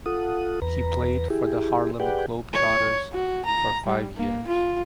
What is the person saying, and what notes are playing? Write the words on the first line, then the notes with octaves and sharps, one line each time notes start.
He played for the Harlem Globetrotters for five years.
F4 A4 F#5 D#6
E2 B4 A#5
E4 G4 G#4
G4 G#4 B4 D5 F#5 G5
C#5
F#4
A#5
G3
A#3
F4